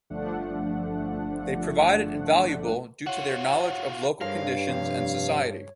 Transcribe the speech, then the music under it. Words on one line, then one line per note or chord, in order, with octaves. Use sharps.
They provided invaluable due to their knowledge of local conditions and society.
G1 F3 A3 D4 F#5
F4 F#4 C#5 F#5
G2 G#4 A#4 C5 C#5 F5
C3 F3 C4